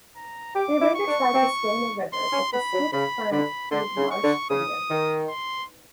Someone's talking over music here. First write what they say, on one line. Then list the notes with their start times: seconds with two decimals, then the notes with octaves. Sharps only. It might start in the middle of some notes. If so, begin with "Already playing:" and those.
They later tried to swim the river, but the swift current pulled Marsh under.
0.16 A#5
0.55 G4 D6
0.82 E4
0.95 C#6
1.08 D4
1.34 C4
2.13 C6
2.33 C#4
2.53 B3 B5
2.73 F#3
2.93 C#3 B5
3.32 D3 B5
3.71 D3 C6
3.97 C#3
4.11 C#6
4.24 D3
4.50 C#3 D#6
4.90 D#3
5.29 C6